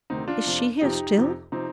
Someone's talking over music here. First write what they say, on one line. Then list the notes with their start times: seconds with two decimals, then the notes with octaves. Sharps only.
Is she here still?
0.10 D2 C3 D#3 C4 D#4
0.28 D4 F4
0.45 F2 C3 F3
0.81 F2 C3 F3 D#4 G4
1.17 F2 C3 F3
1.52 C3 F3 C4 D#4